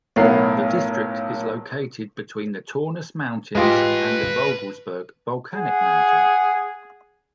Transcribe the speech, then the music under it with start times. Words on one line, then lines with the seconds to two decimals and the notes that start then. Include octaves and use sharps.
The district is located between the Taunus mountains and the Vogelsberg volcanic mountain.
0.16 B1 A2 B3 A#4 C#5 C7
3.55 G#3 F4 G4 B4 A5
5.55 G#4 F#5